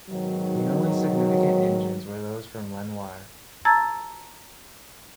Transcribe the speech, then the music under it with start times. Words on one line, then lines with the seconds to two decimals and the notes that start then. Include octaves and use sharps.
The only significant engines were those from Lenoir.
0.10 G#2 B2 D#3 F#3
3.65 A5 A#5 E6 G#6 A6